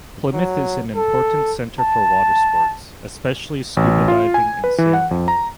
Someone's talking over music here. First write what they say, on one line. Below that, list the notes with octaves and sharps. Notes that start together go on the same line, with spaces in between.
Plymouth is an important centre for watersports, especially scuba diving and sailing.
F#3
A4
A5
A1
F4
G#5
B4
E3
F#5
F2
A#5